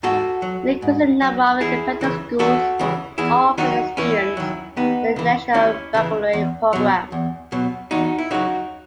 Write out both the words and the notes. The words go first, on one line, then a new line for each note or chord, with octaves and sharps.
An increasing number of independent schools are offering their students the International Baccalaureate Programme.
G#2 F#4 A4
F#3
G#2
F#3
E2 E4 G#4
C#3 E3
E2 F#4 A4
C#3 E3
E2 E4 G#4
D#3 F#3 D#4 F#4
E2 C#4 E4
D#3 F#3
D#2 B3 D#4
C#3 E3
D#2 C#4 E4
C#3 E3
E2
B2 F#3
E2
B2 F#3
E2 D#4 F#4
E4
C#3 F#3 D#4 F#4